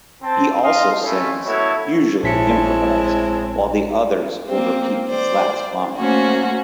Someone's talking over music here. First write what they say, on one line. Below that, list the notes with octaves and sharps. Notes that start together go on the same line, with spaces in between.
He also sings, usually improvised, while the others will repeat his last line.
C4 A5
D#5 F5 C6
A3 C#4 E4
A3 B3 E4 F#4 A4 C#5
A#1 G#3 C4 E4 C#5 A5 B6 C#7
A#3 C4 C5
C5 D5
A3 A#3 C#4 F#4 C5